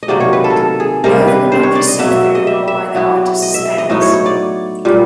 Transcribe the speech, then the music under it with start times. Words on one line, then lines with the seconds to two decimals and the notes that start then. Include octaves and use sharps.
Both were not received very well by the artist's fans.
0.03 D#5
0.08 C3 D#3 F#3 A#3 D5
0.20 C#5
0.33 B4
0.44 A4
0.50 A#4
0.56 A4
0.80 G#4
1.04 C3 D#3 G3 C4 A#4
1.27 B4
1.52 C5
1.63 C#5
1.75 D5
1.87 D#5
1.99 B2 F#3 A#3 E5
2.11 E5
2.23 E5
2.35 D#5
2.47 E5
2.68 E5
2.95 F#3 B3 E4
3.42 D#5
3.54 E5
3.66 E5
3.78 D#5
3.90 A2 F#3 B3 D#4 D#5
4.02 C#5
4.14 C#5
4.26 D5
4.85 A#2 G3 A#3